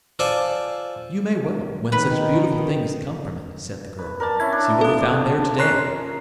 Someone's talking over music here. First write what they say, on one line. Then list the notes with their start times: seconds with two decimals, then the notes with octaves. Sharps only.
"You may well, when such beautiful things come from it," said the girl. "See what we found there to-day."
0.19 F4 A4 C5 D5 G#5
1.92 D#3 B4 B5
3.98 B4
4.20 A#4 D5 A5
4.40 C#4 E4 G#6
4.52 D4
4.81 F3 D4 A4 D#6
5.59 C#4 A#4 C6 F#6 C7